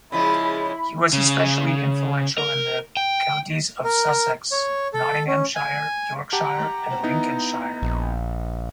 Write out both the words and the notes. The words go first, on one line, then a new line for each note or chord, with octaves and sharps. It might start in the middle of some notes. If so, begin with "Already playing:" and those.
He was especially influential in the counties of Sussex, Nottinghamshire, Yorkshire and Lincolnshire.
C#3 F3 G#3 E4 B5
C#3
A#4
G5
A#4
C#5
A4
C#4
G#5
G4 F#5 A5 A#5
B3 D#4 E4
A#1